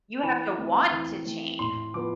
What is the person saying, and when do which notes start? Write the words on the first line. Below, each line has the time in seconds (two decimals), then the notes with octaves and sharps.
You have to want to change.
0.23 E3 B5
0.58 A3 C4
0.91 E3
1.25 A3 C4
1.59 A2 C6
1.94 F3 B3 D6